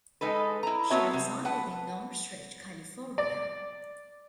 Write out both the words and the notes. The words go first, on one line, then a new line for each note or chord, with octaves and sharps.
She resided in Northridge, California.
G#3 D#4 A4 B4
E4 A#5
B3 C4 F#4 C#5 E5 A5
C3
B4 F#5 A5
D5